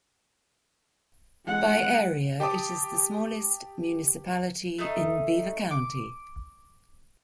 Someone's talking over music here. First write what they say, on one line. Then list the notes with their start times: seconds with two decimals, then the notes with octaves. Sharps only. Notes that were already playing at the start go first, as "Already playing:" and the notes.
By area, it is the smallest municipality in Beaver County.
1.46 G#3 F#5
2.40 G4 G5 A5 D6 D#6
4.78 A3 D#4
5.71 D6